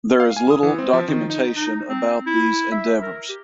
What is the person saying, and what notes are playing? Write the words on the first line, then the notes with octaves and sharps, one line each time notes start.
There is little documentation about these endeavors.
F5
G#5
D#6
E3
C4
F3
D#3
D#4
D#4
C4
E4
E5
A#4
G4